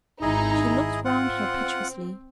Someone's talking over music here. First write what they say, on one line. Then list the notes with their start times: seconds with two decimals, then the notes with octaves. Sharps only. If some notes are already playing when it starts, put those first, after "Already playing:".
She looked round her piteously.
0.22 G#1 D#4 E4 G#4 D#5 A#5
1.05 C4 F4 F#5